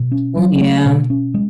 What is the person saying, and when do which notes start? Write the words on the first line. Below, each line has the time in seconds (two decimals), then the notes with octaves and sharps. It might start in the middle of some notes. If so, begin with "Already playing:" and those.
Well, yeah.
Already playing: B2
0.12 C#4
0.37 F#3
0.61 A3
0.85 B2
1.10 C#4
1.34 G#3